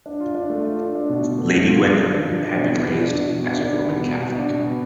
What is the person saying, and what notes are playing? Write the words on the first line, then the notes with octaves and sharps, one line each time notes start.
Lady Gwendoline had been raised as a Roman Catholic.
D4
F4
D4
A3
F4
D4
D4
B2
B2
A3
B2
F4
F4
D4
F4
D4
D4
B2
B3
B2
D4
B2
B2
D4
D4
B3
B2
B2
B2
D4
B2
B3